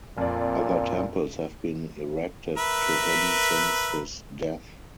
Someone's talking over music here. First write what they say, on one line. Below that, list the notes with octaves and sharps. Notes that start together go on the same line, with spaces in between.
Other temples have been erected to him since his death.
F2 A#2 D5
A#4 B4 E5